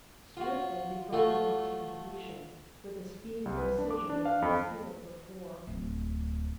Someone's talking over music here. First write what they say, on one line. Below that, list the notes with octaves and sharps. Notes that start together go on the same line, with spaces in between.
Swiftly they brought their work to completion, with a speed and precision they had concealed before.
F4 F#4
A3 F4 F#4
C2
B4
D4
D6
D4
F5
F2
D1